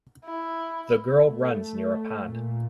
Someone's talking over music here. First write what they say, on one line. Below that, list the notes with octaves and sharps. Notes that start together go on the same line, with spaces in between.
The girl runs near a pond.
E4
A3
A#2